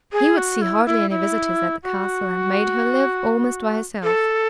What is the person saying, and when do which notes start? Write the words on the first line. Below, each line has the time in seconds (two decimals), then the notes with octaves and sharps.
He would see hardly any visitors at the castle, and made her live almost by herself.
0.13 G#4
0.37 F#4
0.62 E4
0.86 E4
1.10 E4
1.83 F#4
4.03 A4